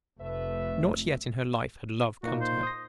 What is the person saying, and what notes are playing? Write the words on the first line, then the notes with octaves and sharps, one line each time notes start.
Not yet in her life had love come to her.
F1 A3 B4 E5
A#2 A#3 D#4 F#4
C5
D#6 A#6